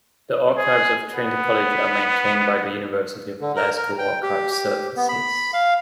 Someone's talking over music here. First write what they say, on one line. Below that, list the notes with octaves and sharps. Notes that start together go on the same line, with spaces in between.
The archives of Trinity College are maintained by the University of Glasgow Archives Services.
G#4
B3
D3
A#4
A#4
G5
G4
G4
B3
B5
F5